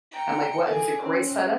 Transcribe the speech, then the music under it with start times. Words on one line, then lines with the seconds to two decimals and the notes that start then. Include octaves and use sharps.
I'm like, "What this is a great setup."
0.12 G5 A#5 C#7
0.65 G#4 A4 D5
1.01 C4 C#4